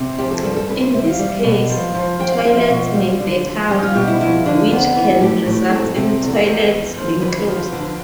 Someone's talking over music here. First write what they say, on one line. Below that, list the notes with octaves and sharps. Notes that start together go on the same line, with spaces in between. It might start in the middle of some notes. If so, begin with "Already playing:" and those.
In this case, toilets may back up, which can result in toilets being closed.
Already playing: C3
F3 G4
A4
G2 A4
A4
C3 B4
C5
C3 E5
F5
G3
B2
F3
F3
F3 G5
F5
F3 F5
E5
B2 F4
G3
D3
F3
G3 G4
F4
B2 G4
E4
F3 E4
D3 D4
F2 B3
E3
A4
A2 G4
A2
F2 A4
C3
E2
E2
E2
F3
D3 B4
F3
D3